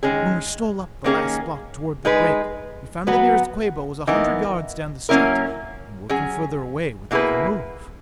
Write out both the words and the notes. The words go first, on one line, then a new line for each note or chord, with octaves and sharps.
When we stole up the last block toward the break we found the nearest Quabo was a hundred yards down the street--and working further away with every move.
D#3 G#3 C#4 G#4
D#3 A#3 C#4 G#4
G#3 D#4 G#4 B4
F#3 B3 F#4 B4
E3 B3 D#4 A#4
F#3 A#3 C#4 E4 A#4
F#3 C#4 G#4
B2 A#3 E4 G#4 B4